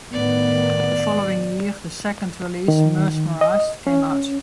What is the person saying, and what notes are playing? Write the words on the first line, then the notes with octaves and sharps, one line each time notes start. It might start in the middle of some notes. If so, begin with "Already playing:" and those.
The following year the second release "Mesmerized" came out.
A2 D#3 B3 D5
D#3
D#5
C#4